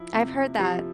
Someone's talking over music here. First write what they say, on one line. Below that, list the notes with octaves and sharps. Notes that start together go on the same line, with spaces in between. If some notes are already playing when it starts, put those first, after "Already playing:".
I've heard that.
Already playing: F3 E4
C3
F3 G4